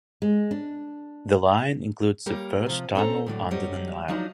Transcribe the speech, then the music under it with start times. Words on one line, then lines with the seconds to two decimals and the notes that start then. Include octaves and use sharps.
The line includes the first tunnel under the Nile.
0.22 G#3
0.51 D4
2.26 G3 A#3 G4 A#4 C#5
2.66 C3 F3
2.95 C4 C#4 A4 C5 A#5
3.26 A2 D3 E3 F#3
3.51 D2 F#3 G3 G4 C#5 D#5
4.08 F3 F#3 D4 D#4